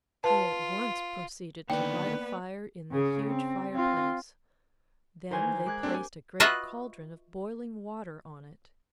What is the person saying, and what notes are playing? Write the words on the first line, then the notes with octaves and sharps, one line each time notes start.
They at once proceeded to light a fire in the huge fireplace; then they placed a great cauldron of boiling water on it.
F4 B4 A5
D3 D#3 A#3 B3 B4 D5 G5
C#3 G#4
C4
C4 F4
D#3 E3 A#4 C5 G#5
G#3 D6 F#6 G#6
A3 C4 D4 G4
G#5
F4 F#4 B4 D#5 E5